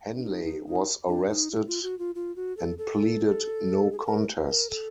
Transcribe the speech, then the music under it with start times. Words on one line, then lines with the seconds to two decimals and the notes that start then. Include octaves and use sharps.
Henley was arrested and pleaded no contest.
0.18 D4
0.23 D#4
0.44 D#4
0.66 D#4
1.08 D4
1.29 D#4
1.51 E4
1.67 F4
1.83 F#4
1.99 F4
2.15 F4
2.36 F#4
2.57 A4
2.78 A4
3.92 G#4
3.99 A4
4.06 A#4
4.49 A#4
4.70 A4